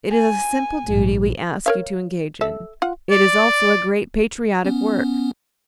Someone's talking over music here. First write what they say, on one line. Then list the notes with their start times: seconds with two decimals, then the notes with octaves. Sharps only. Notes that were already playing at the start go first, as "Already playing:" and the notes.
It is a simple duty we ask you to engage in; it is, also, a great patriotic work.
0.10 G#5
0.85 A#1 G#2
1.66 A#4 C#5 F5
2.41 A4 E5
2.82 F4 F#5
3.10 D5
4.65 B3 C#4